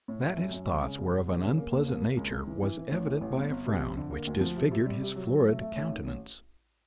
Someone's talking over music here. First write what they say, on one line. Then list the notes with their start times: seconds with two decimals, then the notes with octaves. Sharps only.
That his thoughts were of an unpleasant nature was evident by a frown which disfigured his florid countenance.
0.08 A2
0.23 A3
0.38 F#2
0.53 F#2
0.68 G#3
0.82 C#3
0.98 E1
1.13 E1
1.28 E1
1.42 C#3
1.58 A#3
1.72 D#2
1.87 A#3
2.02 A#3
2.17 C#2
2.32 C#2
2.47 E3
2.63 E3
2.77 E3
2.92 A1
3.07 E3
3.21 A1
3.37 G1
3.51 G1
3.66 C3
3.81 F2
3.97 D3
4.11 A#3
4.27 D2
4.41 F3
4.56 C3
4.71 C3
4.86 G3
5.02 C3
5.16 F#3
5.31 F#3
5.47 A3
5.61 A3
5.76 A1
5.92 D#3
6.06 A1